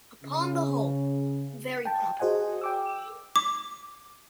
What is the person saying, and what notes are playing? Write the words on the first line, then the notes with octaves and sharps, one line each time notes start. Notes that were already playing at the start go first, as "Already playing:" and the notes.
Upon the whole, very proper.
C#3
G5 A5
F#4 G#4 C5 D#5 F#5 G#5
G5 D6 E6
D6